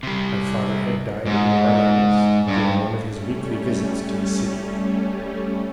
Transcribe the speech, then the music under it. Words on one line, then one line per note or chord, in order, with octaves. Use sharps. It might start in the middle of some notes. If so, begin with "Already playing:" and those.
My father had died at New Orleans during one of his weekly visits to the city.
C3 G3
G#2
G2
G3 A3 C#4